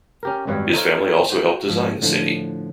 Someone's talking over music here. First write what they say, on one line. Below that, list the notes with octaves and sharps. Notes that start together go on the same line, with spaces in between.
His family also helped design the city.
C#4 G4 A#4
G#1 F#2 G3 B4 C#5 F5
D#4 A4 C5 C#5 F5
F#4 C5
G#2 F3
A2 D3 F3